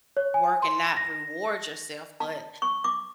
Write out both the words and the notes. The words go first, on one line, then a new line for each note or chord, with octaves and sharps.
work and not reward yourself, but
C#5
G#5
C6
A#6
A5
C#6
D6